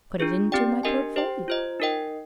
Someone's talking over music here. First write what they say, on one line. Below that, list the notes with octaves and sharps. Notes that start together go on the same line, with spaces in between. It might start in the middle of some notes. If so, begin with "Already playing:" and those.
"Put it into my portfolio."
D4 F4 G#4
C4 G4 D5 G5
D4 G4 A#4 D#5 G#5
G4 C5 G5
F4 C5 D#5
D#4 A#4 D#5 G5